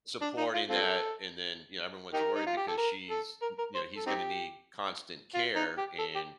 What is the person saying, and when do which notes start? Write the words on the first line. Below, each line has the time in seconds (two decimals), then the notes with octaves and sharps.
supporting that and then, you know, everyone's worried because she's y you know, he's gonna need constant care and
0.22 D4
0.38 D#4
0.54 F4
0.70 C4 F4 A4
2.14 D#4 G4 A#4
2.35 D#4
2.47 F4
2.57 G4
2.68 A4
2.78 A#4
3.10 A4
3.42 A#4
3.58 A#4
3.75 C5
3.96 A4
4.07 C4 D#4 G4
5.34 F4
5.56 D#4
5.78 G4
5.99 A4
6.15 G4